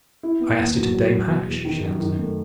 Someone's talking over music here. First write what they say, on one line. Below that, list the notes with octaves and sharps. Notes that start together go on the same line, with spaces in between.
"I asked it of Dame Hatch," she answered.
E4
B3
D#2
F#3
F#3
F#3
B2
E2
D#3
F#2
D#3
A3